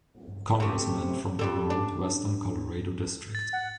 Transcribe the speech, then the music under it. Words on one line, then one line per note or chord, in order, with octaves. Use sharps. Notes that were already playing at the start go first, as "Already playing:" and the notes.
Congressman from a remote Western Colorado district.
C3 A3
F2 G3 A4
D4
A6
F#5